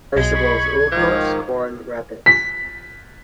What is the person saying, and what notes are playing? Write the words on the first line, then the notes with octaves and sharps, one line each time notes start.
Vegetables: Ullucos, corn wrappes.
B1 G#3 G#6
B5 C#6
G#2 D#3 F3
B6